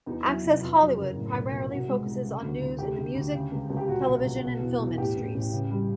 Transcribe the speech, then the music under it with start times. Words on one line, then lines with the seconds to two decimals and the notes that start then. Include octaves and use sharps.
"Access Hollywood" primarily focuses on news in the music, television, and film industries.
0.06 E2 D#4
0.24 F#3 E4
0.42 F1 E4
0.62 F2 F4
0.79 F#3
0.97 F#1
1.16 A2
1.34 B1
1.52 B1
1.70 C3 F#4
1.89 G#3
2.07 C2
2.25 C#3
2.42 D2
2.61 D2
2.79 C3 G4
2.98 D2
3.15 D2
3.33 C#3
3.52 C#2
3.70 C#2
3.77 G4
3.88 A#2 F#4
4.06 B1
4.25 B1
4.43 B2
4.61 E2
4.79 E2
4.98 A2 G4
5.16 A1
5.34 A1
5.51 C#3
5.71 G3